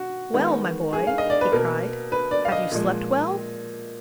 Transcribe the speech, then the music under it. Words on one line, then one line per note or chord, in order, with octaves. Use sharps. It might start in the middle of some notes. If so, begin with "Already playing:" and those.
"Well, my boy," he cried, "have you slept well?"
Already playing: F#4
D#3 G#3 B3
G#4
F5
D#5
D5
B4
B2 A#3 A#4
B4
D5
F5
D#5
A#2 F3 G#3